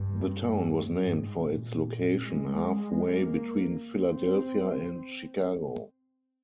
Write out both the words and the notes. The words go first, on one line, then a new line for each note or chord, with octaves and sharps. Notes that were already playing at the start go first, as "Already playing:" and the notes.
The town was named for its location halfway between Philadelphia and Chicago.
Already playing: G2
G#2
A#2
G#3
A#3
C4